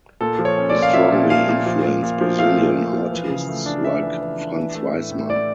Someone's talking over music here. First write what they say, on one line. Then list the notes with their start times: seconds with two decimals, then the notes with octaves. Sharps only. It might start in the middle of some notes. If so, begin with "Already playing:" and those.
He strongly influenced Brazilian artists like Franz Weissmann.
0.21 A#2 A4
0.39 F3
0.45 C#5
0.58 C#4
0.70 D5
0.76 A#2
0.82 F5
0.93 F3 E5
1.12 A#2
1.30 F3 F5
1.49 A#2
1.66 F3
1.85 A#2
2.03 A#2
2.21 F3
2.39 A3 F5
2.57 A#2
2.75 A#2
2.93 F3
3.12 E3
3.30 C#3
3.49 A3
3.66 D4
3.85 D4 E5
4.02 E3
4.21 E3
4.39 D4
4.58 E3
4.75 A3
4.93 A2
5.11 A2
5.29 A3 D5